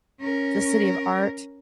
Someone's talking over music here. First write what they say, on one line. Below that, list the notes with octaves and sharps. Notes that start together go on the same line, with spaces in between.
the city of art.
C#4 A#4